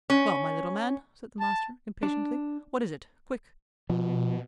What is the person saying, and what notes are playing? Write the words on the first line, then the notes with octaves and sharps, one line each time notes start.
"Well, my little man," said the master, impatiently, "what is it? quick!"
C#4
A5
D4
B2 F3